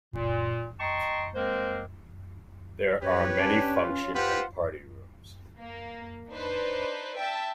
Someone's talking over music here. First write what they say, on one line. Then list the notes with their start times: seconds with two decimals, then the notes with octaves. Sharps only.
There are many function and party rooms.
0.15 A#2
0.80 D#5 G5 A5 A#5 C6 C#6
1.35 G#3 A#3 C4 A#4 C5
3.02 F#2 G4 B4 C#5
3.39 C#4 D4
3.76 F4
4.14 F4 G4 B4 C5 F#5
5.58 A#3
6.30 D4 D#4 B4 C5
7.17 E5 G5 A5